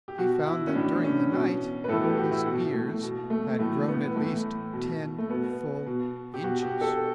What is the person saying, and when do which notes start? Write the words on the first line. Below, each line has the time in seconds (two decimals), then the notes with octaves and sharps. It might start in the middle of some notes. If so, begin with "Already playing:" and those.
He found that, during the night, his ears had grown at least ten full inches!
0.08 G4
0.18 B2 F#4
0.46 E4
0.67 C#4
0.75 A2 E3 D4
1.04 C#4
1.32 B2
1.84 B4
1.88 A2 E3 A4
2.03 G4
2.17 F#4
2.31 E4
2.46 B2
2.74 A3
3.03 B2
3.30 A3
3.59 A2 E3 A3
3.88 B3
4.16 A2 E3 A3
4.73 B2
5.18 A3
5.30 B2 B3
5.87 B2
6.34 G4
6.43 B2 F#4
6.63 G4
6.81 A4